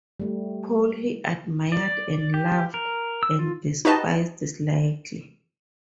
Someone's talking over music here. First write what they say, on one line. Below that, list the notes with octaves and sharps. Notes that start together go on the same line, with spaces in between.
Paul he admired and loved and despised slightly.
G3 A3
D5
G4
A#4
E6
F4
D#4 F#4 G4 B4 D#5 A5